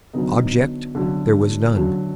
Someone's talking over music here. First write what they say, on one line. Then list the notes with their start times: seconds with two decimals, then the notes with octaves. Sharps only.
Object there was none.
0.13 D3 F#3 B3 D#4
0.95 D3 F#3
1.76 D3 F#3